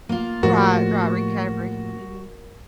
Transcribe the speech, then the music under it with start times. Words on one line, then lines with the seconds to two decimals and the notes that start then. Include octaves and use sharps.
Right, right, recovery. Mhm.
0.09 A#3 F4
0.43 A2 F3 G3 F#4 A#4